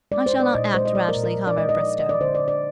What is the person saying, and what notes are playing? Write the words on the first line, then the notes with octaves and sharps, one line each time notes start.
I shall not act rashly, Comrade Bristow.
G#3 D5
C5
A#2
D5
A#2 D#5
G#3 C5
D#5
G#3 D5
A#4
A#2
A#4
A#2
D5
G#3 D#5
D#5
F3 D5
G#3 D#5
D5
D3 C5
D5
D3
D5